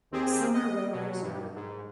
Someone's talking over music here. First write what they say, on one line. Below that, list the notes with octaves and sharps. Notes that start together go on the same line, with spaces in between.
Some are well preserved.
D#2 D#3 C4 G4 G#4
D#5
B2 F#3
G2
G#2